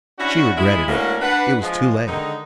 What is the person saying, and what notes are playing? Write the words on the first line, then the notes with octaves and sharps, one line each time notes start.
She regretted it. It was too late.
C#4 D4 E4 F#4
G#3 E4 G#4
A2 G#3 A#3 C#4 D4 F#4
D4 B4 F#5
F3 G#3
D3 D#3 G#3 D#4